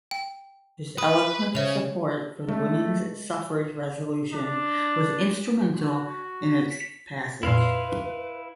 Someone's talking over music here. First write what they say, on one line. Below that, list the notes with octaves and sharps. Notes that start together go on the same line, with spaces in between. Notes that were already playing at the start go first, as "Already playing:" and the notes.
His eloquent support for the women's suffrage resolution was instrumental in its passage.
G5
B4 D#6
C#3 C5 C#5 E5 F7
G#3 A3
D4
F#4
F2 A#2 E4 B4 F5 C6